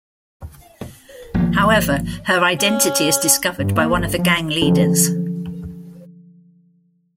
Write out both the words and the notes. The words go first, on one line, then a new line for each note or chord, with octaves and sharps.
However, her identity is discovered by one of the gang leaders.
G#1 F3 A#3
C#4
G2
A#3
G1
F3
D3 F3 F#3 C#4 A4